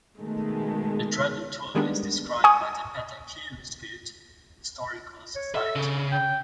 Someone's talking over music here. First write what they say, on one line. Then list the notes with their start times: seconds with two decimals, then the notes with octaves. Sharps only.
A driving tour is described by the Pettaquamscutt Historical Society.
0.19 B2 D#3 G#3 A3
1.75 D#3 G3 G#3 A#3 B3 D4
2.44 G#5 C#6 D#6
5.36 C#5
5.55 A4 E5
5.76 C#3
6.12 G5